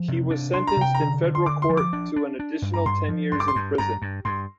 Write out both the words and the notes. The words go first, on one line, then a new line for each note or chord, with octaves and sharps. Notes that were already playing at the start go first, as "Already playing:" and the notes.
He was sentenced in federal court to an additional ten years in prison.
Already playing: F3
C3
D4
D4 C6
A#5
C3 G5
A#5
D3
D3
C6
D3 D6
C6
F3
D6
D4
D4
D4
G2
A#5
G2 C6
F3
G2 C6
D6
C6
G2
G2 A#5
G2
G2 C6